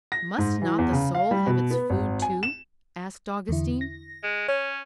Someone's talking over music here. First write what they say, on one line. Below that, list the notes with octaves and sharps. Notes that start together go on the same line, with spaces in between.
"Must not the soul have its food too?" asked Augustine.
A#6
G#2
E3
E2
C#3
F5
G3
B2
B3
G#1
G#5
E7
E2 D3 E4
A#6
G#3
C#4 C#5